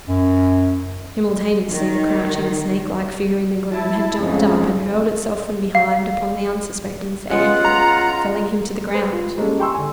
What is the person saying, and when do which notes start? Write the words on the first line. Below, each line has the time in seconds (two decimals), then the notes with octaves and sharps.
Simultaneously the crouching, snake-like figure in the gloom had jumped up and hurled itself from behind upon the unsuspecting Sir Andrew, felling him to the ground.
0.09 F#2
1.72 D#3
3.72 E4 A5
4.17 F2 G#2 C#3 G#3
5.75 F5
7.30 C#3 G#3 B3 F4 F#5
7.65 A#5
8.94 B4 C5
9.13 F4
9.37 G3 G#3 A#3 C#4 A4
9.59 G4 G5 G#5 C6 C#6 E6
9.74 D3 G#5